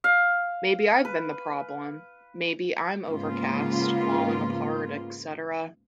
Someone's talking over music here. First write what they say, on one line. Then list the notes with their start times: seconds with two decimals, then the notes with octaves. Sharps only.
'Maybe I've been the problem,' maybe I'm overcast, falling apart, etc...
0.04 F5
1.05 B4
3.07 G#2 C#3 A#3 B3 F4